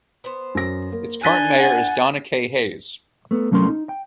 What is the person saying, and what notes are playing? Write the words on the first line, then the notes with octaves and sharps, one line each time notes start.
Its current mayor is Donna K. Hayes.
B3 C5
F#2 A#6
A#3
D4 G#5 F#6 A6 B6 D#7 G7
F#5
A3 B3
C2 F#3 A3 C#4 A#4 C6
D#4
G5